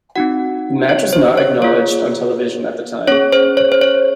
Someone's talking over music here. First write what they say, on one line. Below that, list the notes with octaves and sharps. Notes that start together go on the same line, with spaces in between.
The match was not acknowledged on television at the time.
C4 D#4 F#4 F#5
C#5
C5
C#5
A#3 F4 G#4 C#5
C#4 G#4 C#5
C5
C#5
C5
C#5